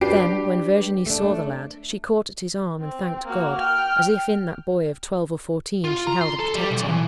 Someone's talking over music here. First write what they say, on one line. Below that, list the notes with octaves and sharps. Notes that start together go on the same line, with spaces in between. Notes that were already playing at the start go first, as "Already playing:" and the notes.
Then, when Virginie saw the lad, she caught at his arm, and thanked God, as if in that boy of twelve or fourteen she held a protector.
D4 G4 B4 C7 D7
A3 D4
C4
A#3 F#4
G5 F6
F4
A#5
C6
A4
G3
B1
E3